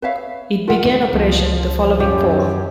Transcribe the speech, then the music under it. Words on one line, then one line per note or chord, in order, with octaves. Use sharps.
It began operation the following Fall.
B4 C#5 E5 F5
F4 A#4 E5 F#5
C#2 F3
F#2 G4